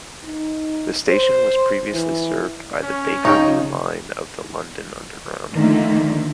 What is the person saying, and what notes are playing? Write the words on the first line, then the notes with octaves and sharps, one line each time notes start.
The station was previously served by the Bakerloo line of the London Underground.
D#4
C5
E3
C#4
C#3 D#4 C#5 G5
D3 D#3 F3 A3 A#3